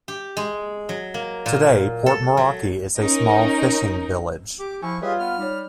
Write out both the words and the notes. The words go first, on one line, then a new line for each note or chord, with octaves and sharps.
Today, Port Moeraki is a small fishing village.
G4
G#3
F#3
A#3
A#2
A4
F#3
C#4 D#4 A#4
G4 D6
F3 E4 G#5 C#6
G3 F4 G4 G#4 B4 C#5 D#5 E5
B3 F6
G3 D#4 C#5